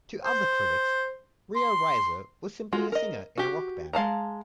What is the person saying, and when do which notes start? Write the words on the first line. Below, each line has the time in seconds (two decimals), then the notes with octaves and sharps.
To other critics, Rio Reiser was simply a singer in a rock band.
0.25 C5
1.56 C6
2.73 G#3 F4 F#4
2.92 A#4 D#5
3.38 F#4 G4
3.93 G#3 F5 A5 A#5